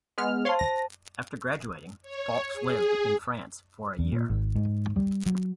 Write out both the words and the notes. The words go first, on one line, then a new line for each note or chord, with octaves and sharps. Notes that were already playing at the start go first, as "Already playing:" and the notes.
After graduating, Faulks lived in France for a year.
G#3 B3 F6
C5 C#5 F5 A5 C6
A#6
C#5
G#4
E2
A#2
G#1
G#2
G3
F#3